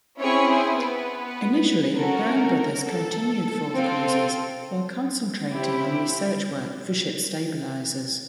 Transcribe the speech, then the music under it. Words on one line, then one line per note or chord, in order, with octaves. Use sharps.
Initially, Brown Brothers continued Forth cruises, while concentrating on research work for ship stabilisers.
C4 C#4 E4 G#4 C#5
C4 C5
B3 B4
C#4 F#4 A4 A#4
A4
C4 F4 A4
C4 E4 G4